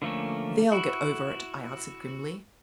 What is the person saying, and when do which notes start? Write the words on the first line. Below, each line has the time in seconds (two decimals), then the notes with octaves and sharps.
'They'll get over it,' I answered, grimly.
0.02 D3 F3 A3 A#3 C#4
0.72 E4 F#4